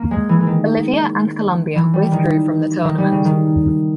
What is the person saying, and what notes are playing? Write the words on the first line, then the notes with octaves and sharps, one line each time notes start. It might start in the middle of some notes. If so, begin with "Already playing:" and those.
Bolivia, and Colombia withdrew from the tournament.
Already playing: A#3
G#3
E3
E3
D#3
E3
G3
D#3
D#3
G3
C#3
D#3